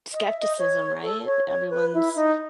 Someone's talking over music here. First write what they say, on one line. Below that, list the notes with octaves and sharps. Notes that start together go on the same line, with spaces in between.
skepticism, right, everyone's
D#5
E5
D#5
C#5
A4
C#5
C#5
B4
E4
D#4